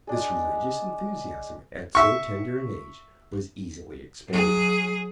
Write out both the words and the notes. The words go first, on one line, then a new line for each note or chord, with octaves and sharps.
This religious enthusiasm at so tender an age was easily explained.
G#3 D4 G#4
E5 C#6
F#3 G#4